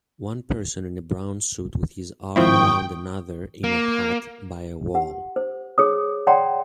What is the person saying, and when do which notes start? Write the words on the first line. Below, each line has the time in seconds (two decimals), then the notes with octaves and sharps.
One person in a brown suit with his arm around another in a hat by a wall.
2.36 G#2 D#3 F3 C4 E4 G5 C#6 D#6
3.64 A#3
4.95 G4 F#5
5.36 C5
5.78 G#4 C#5 D#6
6.27 C#5 D5 F#5 G5 A#5 C6